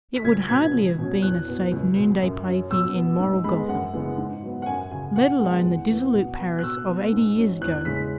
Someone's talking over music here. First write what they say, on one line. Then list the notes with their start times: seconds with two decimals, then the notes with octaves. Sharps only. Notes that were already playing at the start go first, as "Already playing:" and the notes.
It would hardly have been a safe noonday plaything in moral Gotham, let alone the dissolute Paris of eighty years ago!
0.16 B6
0.24 C#2 G#6
0.49 B2 B3 G#6
0.74 C#2
0.98 B2 F#3 C#4
1.22 E2 F#6
1.48 B2 B3
1.72 C#2
1.96 B2 F#3
2.22 F#2
2.45 F#3 C#4
2.70 B2 E6
2.95 B3
3.19 G#2
3.44 G#3 B3 B5
3.68 F#2 F#5
3.93 C#3 E3 G#3 B3
4.18 G#2
4.42 F#3 B3
4.62 F#5
4.66 F#2 G#5
4.91 C#3 F#3 G#5
5.16 B2 F#5
5.40 G#3 B3 F#5
5.64 E2
5.90 E3 B3
6.13 B2
6.38 B3
6.59 F#6
6.63 B2 E6
6.88 B3
7.12 G#2
7.37 F#3 C#4
7.61 E2 F#6
7.85 C#3 G#3 C#4 B6